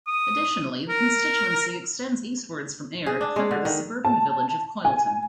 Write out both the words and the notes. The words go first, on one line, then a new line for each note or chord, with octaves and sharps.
Additionally, the constituency extends eastwards from Ayr to cover the suburban village of Coylton.
D#6
A#4
G#4
D4
G#3
D3
D#3
A5
G#5